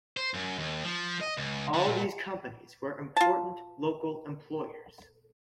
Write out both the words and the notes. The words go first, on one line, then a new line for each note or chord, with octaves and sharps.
All these companies were important local employers.
C5
F#2
D#2
F3
D#5
C#2
D3
A#2
F4 A5